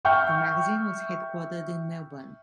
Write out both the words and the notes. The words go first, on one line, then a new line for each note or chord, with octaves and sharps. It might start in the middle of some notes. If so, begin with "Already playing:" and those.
The magazine was headquartered in Melbourne.
E5 G5 C#6 F6 G6